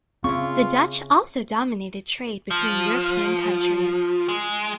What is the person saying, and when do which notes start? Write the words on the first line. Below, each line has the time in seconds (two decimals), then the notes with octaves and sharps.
The Dutch also dominated trade between European countries.
0.24 C#3 C4 E4 F4 C#6
2.51 F3
4.29 G#3